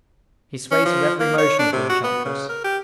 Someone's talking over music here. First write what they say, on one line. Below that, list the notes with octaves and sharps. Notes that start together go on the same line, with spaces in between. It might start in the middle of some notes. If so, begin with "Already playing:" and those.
He sways with every motion of the enchantress.
C#4
F3
A#3
C#5
D4
C3
F#4
B3
C#3
A#4
G4